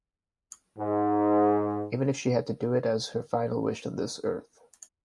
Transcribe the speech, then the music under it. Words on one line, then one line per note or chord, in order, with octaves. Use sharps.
Even if she had to do it as her final wish on this earth.
G#2